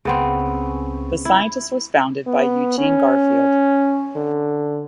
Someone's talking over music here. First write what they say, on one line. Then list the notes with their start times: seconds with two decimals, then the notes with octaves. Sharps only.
"The Scientist" was founded by Eugene Garfield.
0.05 C#2 C#3 B3 C4
1.25 E4
2.26 B3
2.78 C#4
4.17 D3